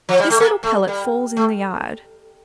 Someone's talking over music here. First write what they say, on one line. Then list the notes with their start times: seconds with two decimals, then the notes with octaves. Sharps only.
This little pellet falls in the yard.
0.09 F3
0.20 G3
0.30 A3
0.40 A#3
0.63 A3
0.88 G3
1.37 A3